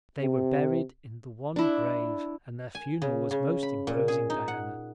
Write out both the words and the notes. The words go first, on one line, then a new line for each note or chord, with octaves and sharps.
They were buried in the one grave and their funeral was most imposing, Diana.
C3
D4 E4
G#5
C#3
C#3
B5
A#2
G#4
D#4
F#5